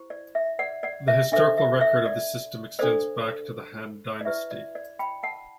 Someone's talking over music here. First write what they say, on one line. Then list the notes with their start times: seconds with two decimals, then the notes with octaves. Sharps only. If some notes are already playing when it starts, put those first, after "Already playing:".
The historical record of the system extends back to the Han Dynasty.
Already playing: E4 G4 C5
0.10 D5
0.35 E5
0.59 D5 F#5
0.83 D5 F#5
1.08 E5
1.32 D4 A4 C5 E5
1.57 E5
1.81 E5
2.06 D5
2.79 D4 A4 C5 D5
4.21 D5
4.25 E4 G4 B4 E5
4.51 D5
4.75 D5
4.99 G5 B5
5.23 F#5 A5